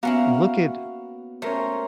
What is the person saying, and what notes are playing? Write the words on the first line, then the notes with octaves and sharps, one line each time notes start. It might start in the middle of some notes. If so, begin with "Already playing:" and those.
Look at
A#3 B3 C#4 E4 F#4 F5
A3 C#4 A#4 C5